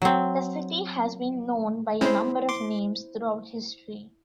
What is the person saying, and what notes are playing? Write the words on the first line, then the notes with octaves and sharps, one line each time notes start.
The city has been known by a number of names throughout history.
F#3 C4
G#3 C4 C#4 E4 C5
C6 D6